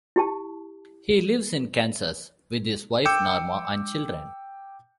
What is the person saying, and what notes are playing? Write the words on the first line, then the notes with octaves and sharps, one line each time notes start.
He lives in Kansas with his wife Norma and children.
E4 G4 A5
G5 D6 E6 G6 C#7 E7